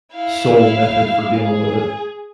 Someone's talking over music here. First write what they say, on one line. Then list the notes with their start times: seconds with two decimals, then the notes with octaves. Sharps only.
sole method for dealing with it.
0.14 E4 F5
1.39 G#4